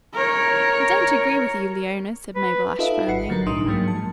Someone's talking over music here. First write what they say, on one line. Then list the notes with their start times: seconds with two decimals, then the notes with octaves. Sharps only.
"I don't agree with you, Leona," said Mabel Ashe firmly.
0.14 A#4 C#5
2.36 B4
2.79 D#4 F4 A4 B4 D#5 E5
3.08 G#1 F#5 C7 C#7
3.29 D3 F#3 G3 A#4
3.46 B1 A2 D4 D#4 C6 D#6
3.66 G#2 F3 F#3 G#3 A#3
3.88 A5